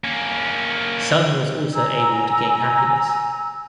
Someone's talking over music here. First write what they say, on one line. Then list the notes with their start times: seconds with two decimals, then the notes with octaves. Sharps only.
Sun was also able to gain happiness.
0.04 A#3 C#4
1.75 G#5 A#5 E6